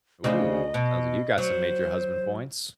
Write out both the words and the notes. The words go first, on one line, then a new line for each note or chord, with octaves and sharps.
Oh, sounds like you got some major husband points.
D2 C#3 C4 D#5
B2
F#3 C5